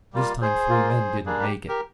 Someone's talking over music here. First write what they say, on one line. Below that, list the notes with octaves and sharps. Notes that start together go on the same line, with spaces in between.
This time three men didn't make it.
G3 A#3 F4
G#4 C5
A#3 F4
G3 A#3 D4 G#4
G4
G4 A#4